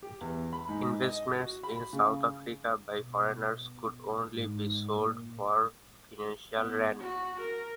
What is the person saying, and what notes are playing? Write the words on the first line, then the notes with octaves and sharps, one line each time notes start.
Investments in South Africa by foreigners could only be sold for financial rand.
G4
E2
B5
G#2
D#5
F#4
B5
C#3
B2
G#2
A#2
B3
F#4
A#4